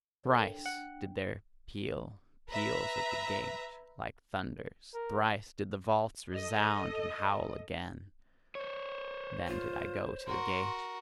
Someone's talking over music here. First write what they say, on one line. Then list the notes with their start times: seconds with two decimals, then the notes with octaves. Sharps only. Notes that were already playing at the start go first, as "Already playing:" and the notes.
Thrice did there peal peals at the gate like thunders, thrice did the vaults resound and howl again: then did I go to the gate.
0.24 A4 A#4 C#5
0.44 D4 G5
0.66 F#5
2.51 B4 E5 A#5
4.94 A#4
6.33 A4 D#5
8.55 C5 C#5
9.47 F4
10.27 F#4 A#4 C6